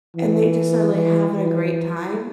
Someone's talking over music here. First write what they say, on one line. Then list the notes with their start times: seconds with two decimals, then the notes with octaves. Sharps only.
and they just are like having a great time.
0.16 E3
0.94 E3
1.32 E3